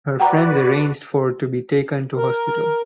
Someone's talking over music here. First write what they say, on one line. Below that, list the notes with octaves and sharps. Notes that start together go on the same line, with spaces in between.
Her friends arranged for to be taken to hospital.
F#4 B4 D5 F#5 G5 A#5
A#4